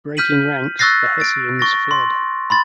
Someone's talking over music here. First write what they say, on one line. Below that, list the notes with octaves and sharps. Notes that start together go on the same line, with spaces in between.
Breaking ranks, the Hessians fled.
F6 G6 B6 D#7 F#7
C#6 E6 F#6 A6 A#6 C7
A6 D7
C#6 A6 A#6
C6
B5 C6 A6